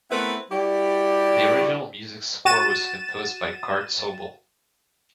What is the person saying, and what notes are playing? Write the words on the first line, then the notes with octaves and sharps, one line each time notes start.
The original music score was composed by Curt Sobel.
A3 B3 C4 E4 A#4 B4
G3 E4 F#4 G4 D5
F#4 A6 D#7 E7